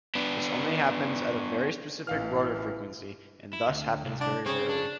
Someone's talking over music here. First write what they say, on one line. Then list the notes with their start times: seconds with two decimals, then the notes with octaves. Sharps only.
This only happens at a very specific rotor frequency and thus happens very rarely.
0.15 B3 D4
2.07 A1 E3 F5 F6
3.53 E4
3.68 D2
4.05 C2
4.21 D4
4.46 C#3 C4
4.69 D4